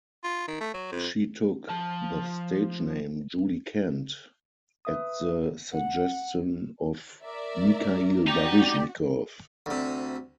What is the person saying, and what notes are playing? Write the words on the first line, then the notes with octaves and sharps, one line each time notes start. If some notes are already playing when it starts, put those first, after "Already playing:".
She took the stage name Julie Kent at the suggestion of Mikhail Baryshnikov.
F4
D#3
A3
F#3
F2
F3 A5
B4 E5 D#6
F#5
A#4 D5 E5
D#4 F#4 G4 D5 A#5
D2 C3